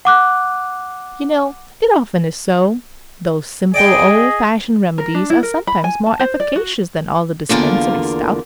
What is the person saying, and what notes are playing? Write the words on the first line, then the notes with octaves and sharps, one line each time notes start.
You know, it often is so--those simple, old-fashioned remedies are sometimes more efficacious than all the dispensary stuff.
F#5 D6 F#6
G#4 D5 D#5 G5
A#4
D4
E4
A#4
B5
G#5
A5
C5
D5
F#4
E2 D3 A#3 F4 A#4 D5